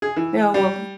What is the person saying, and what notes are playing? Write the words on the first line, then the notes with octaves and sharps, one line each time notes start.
Yeah, well,
G#4
E3
G3